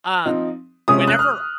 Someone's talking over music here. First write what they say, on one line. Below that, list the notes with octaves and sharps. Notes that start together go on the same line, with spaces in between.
Um, whenever
F3 C4 D#4
C3 F3 G#3 C#4 D#6
F#6
F6